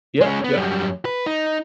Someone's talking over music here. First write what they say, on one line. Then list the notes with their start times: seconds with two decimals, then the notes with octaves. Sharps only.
Yep, yep.
0.21 G#3 C#4
0.44 B3
0.57 F#2 G3
1.05 B4
1.26 D#4